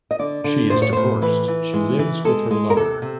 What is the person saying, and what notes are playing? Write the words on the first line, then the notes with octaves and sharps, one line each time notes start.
She is divorced : she lives with her lover.
D#5
D3 D5
D3
A2 C5
C#5
A2 C5
E3 B4
E3
G#3
E3
G#3 A4
G#3
A#4
C3 A4
C3